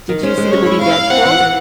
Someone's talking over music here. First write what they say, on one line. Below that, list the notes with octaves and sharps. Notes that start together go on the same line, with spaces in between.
did you see the movie Deadpool?
D#3
C#4 C5
G#3
C#4 C#5
E4
E4 F5
E4
C4 F#5
E3
E3